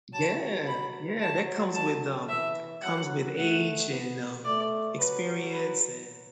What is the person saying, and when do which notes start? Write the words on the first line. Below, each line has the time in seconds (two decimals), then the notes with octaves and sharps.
Yeah, yeah, that comes with, um comes with age and, um, experience and
0.13 F#3 A5
0.67 B5
1.21 F#3 A5
1.75 A5
2.29 E3 E5
2.82 F#3 F#5
3.37 A3 F#5
3.90 B3
4.45 A3 D5
4.98 F#3 B4
5.52 B4